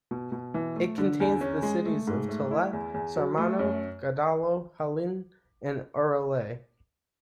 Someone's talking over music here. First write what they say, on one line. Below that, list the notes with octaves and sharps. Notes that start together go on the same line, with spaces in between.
It contains the cites of Taleh, Sarmanyo, Godaalo, Hallin, and Aroley.
B2
B2
E3
A3
D3
E2
C#4
G#3
A3
G#2
A3
E4
E2
E2
F#3
A3
F#2